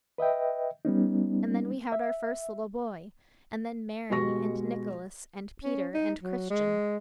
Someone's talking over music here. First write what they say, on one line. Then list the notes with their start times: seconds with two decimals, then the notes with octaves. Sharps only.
And then we had our first little boy, and then Mary, and Nicholas, and Peter, and Christian.'
0.18 B4 D#5 E5 G5
0.85 G3 B3 C#4 D#4
1.92 E5
4.10 B2 G#3 G4 C#6 A#6
5.64 C#4
5.94 D#4
6.23 F#3
6.50 G#3